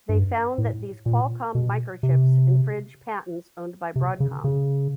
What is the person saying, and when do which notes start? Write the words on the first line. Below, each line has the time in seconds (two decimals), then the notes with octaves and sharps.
They found that these Qualcomm microchips infringe patents owned by Broadcom.
0.09 G2
0.58 A2
1.06 A#2
1.55 B2
2.03 C3
3.96 C3
4.20 C#3
4.44 C#3